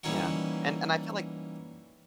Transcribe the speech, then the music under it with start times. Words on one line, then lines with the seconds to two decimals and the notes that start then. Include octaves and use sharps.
yeah, and and I feel like
0.04 E3 G3 A#3 C#4 D#4 F#4